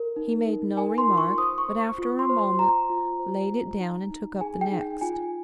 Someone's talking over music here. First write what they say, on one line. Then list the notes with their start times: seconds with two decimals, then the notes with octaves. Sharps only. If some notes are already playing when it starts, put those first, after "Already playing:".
He made no remark, but after a moment laid it down and took up the next.
Already playing: A#4
0.16 D#4
0.48 D#4
0.77 A#4 G#5
0.98 C6
1.08 F4
1.17 C#6
1.38 C5 D#6
1.58 C#6
1.68 C5
1.78 C#6
1.98 F4
2.19 C6
2.29 C5
2.39 C6
2.59 F4 A#5
2.90 F4
3.19 C5
3.50 G4
3.80 D#4
4.11 D#4
4.41 G#4 G#5
4.61 G5
4.72 D#4
4.81 G5
5.01 F4 G#5